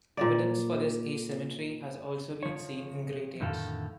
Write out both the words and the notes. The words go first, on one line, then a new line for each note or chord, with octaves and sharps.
Evidence for this asymmetry has also been seen in great apes.
A#2 D5
F3 C#5
F2 A2 D3 D#3 A4 F5